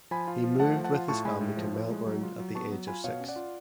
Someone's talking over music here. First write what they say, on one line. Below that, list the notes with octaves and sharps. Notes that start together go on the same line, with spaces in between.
He moved with his family to Melbourne at the age of six.
F3 G#5 B5
F4
F3
A3 F#5 A5
F3
F#5 A5
F4
A2 A5 C#6
G#3 G#5 B5
A2
F3
A2
G#3
F#3
F4
F#3
B3 A5 C#6
F#3
F4 G#5 B5
B2 C#5 F5
C#4
D5 F#5
F4